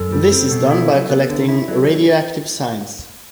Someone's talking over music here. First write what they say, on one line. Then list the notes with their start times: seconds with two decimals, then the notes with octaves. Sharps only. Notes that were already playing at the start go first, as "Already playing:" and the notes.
This is done by collecting radioactive signs.
Already playing: F#2 A4
0.12 G3
0.31 C4
0.51 B2
0.70 E4
0.90 F#3
1.10 B3
1.29 D3
1.48 E4
1.68 F#3 A4